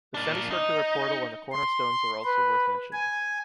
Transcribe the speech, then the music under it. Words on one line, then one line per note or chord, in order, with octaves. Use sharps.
The semicircular portal and the corner stones are also worth mentioning.
A#3 D4
D#4
C6
B4
G#5